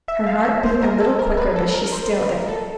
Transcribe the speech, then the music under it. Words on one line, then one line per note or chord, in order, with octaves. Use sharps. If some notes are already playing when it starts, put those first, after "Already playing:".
Her heart beat a little quicker; but she stilled it.
E5
F5
E5
C5
A#4
A4
A#4
B4
A4
A#4
C5
B4
A#4
A4